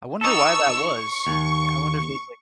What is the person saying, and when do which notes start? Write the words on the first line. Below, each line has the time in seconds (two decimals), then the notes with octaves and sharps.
I wonder why that was. Eh, I wonder if it's like
0.21 D#4 A4 C#6 E6
0.75 C#6
1.27 D#2